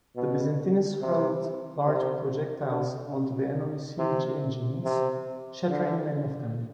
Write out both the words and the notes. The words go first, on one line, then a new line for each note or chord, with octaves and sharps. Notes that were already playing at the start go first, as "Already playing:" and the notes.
The Byzantines hurled large projectiles onto the enemy siege engines, shattering many of them.
B2
C3
C3
D3
C3
C3
D3